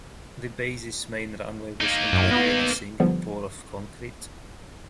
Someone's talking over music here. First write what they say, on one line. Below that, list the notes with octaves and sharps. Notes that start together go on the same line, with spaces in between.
The base's main runway was completed in a single pour of concrete.
A#3 D#4
F#2
B3
D3 F3 G3 B3